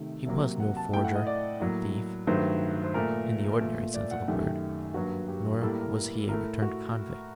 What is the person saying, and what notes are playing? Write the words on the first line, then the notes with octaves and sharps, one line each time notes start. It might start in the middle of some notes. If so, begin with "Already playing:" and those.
He was no forger, or thief--in the ordinary sense of the word; nor was he a returned convict.
Already playing: C3 D#3 A3
C3 F#3 A#3
F#5
A5
A2 A3 G5
F#5
D#5
D5
A2 F#3 A#3
G2 D#3 F#3 A3 C5
C5
A#2 A3 A#4
A#2 A3
D5
F#5
F#2 D#3 A3 G4
G2 F#3 A#3 F#4
G4
A2 G3 A#3 A4
A#4
A2 A3 A#4
F#4